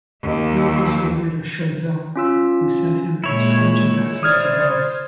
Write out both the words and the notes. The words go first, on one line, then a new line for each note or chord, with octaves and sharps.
He was a favourite of Choiseul, who sent him as French ambassador to Venice.
D#2
C#4 F4 E6
A#2 G#3 E4 C#5
C5 D5 D#6 F6 G#6